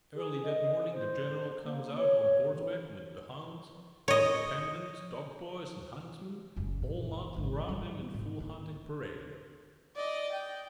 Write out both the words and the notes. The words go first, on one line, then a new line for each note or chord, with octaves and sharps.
Early that morning the general comes out on horseback, with the hounds, his dependents, dog-boys, and huntsmen, all mounted around him in full hunting parade.
G#4
D#5
C5
A#3
C#5
C#5
E3
C#5 D#5
F#1 E2
A#2
G#1 C3
G2 G3
G#2
A#3
D5 D#5
G5